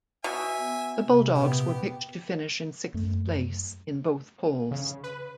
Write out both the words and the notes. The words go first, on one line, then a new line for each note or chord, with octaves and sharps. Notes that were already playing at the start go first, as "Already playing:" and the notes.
The Bulldogs were picked to finish in sixth place in both polls.
B2 E5 G#5
B3
C3
A#2 B3 G4
F#2 A3
C#3
B4